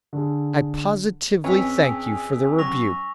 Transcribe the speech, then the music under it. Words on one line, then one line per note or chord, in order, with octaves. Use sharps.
I positively thank you for the rebuke.
D3 G#4
F2 B3 C#4 G#4 C#5 G#5 E6 B6
F#3 C#4 C#6 A#6 F7